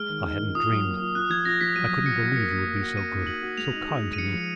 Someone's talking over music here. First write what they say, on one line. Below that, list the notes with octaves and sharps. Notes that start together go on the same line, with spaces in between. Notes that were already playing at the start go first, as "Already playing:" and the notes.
I hadn't dreamed--I couldn't believe you would be so good, so kind to me.
Already playing: G#3 F6
D#3
D#4
D#3
F4 D#6
F#3
A#3
F4
F4 F#6
F3 G#6
F4 A#6
F3 B6
F#3 D#7
F#3
F#3 C#7
F#4
A#3 C#7
A#3
A#3
F#4
A#3 D#7
D#4
F#4 F#7
F#4
G#3 F7
D#4
G#4
G#3
D#7
F3 C#7
F3